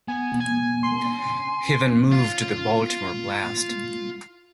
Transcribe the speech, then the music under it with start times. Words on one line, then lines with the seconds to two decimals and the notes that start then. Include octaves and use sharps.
He then moved to the Baltimore Blast.
0.08 B3 G#5
0.40 G#5 G#6
0.83 C6
2.12 F4 F5